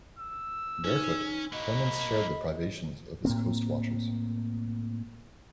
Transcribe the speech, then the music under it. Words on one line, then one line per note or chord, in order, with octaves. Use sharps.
Barefoot, Clemens shared the privations of his coastwatchers.
E6
C#4 D#4
A#3 F#4 D#5 B5
A2 A#3 C4